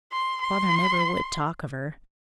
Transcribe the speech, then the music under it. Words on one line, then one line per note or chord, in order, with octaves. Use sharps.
Father never would talk of her.
C6
C6